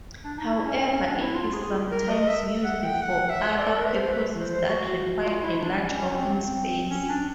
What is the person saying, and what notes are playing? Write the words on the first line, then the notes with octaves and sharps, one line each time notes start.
However, it is sometimes used for other purposes that require a large open space.
D4
D#4
E4
C#4
C4
C#4
D4
E4
F4
G#4
A#4
D#5
E5
F#5
G5
F#5
E5
D5
A4
A#4
B4
C5
B4
C5
C5
F#4
F4
E4
D4
C#4
C#4
C4
C4
C#4
D4